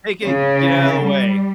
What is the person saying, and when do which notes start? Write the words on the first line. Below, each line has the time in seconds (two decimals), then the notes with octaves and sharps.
Hey, King, get outta the way.
0.25 C#3
1.03 G3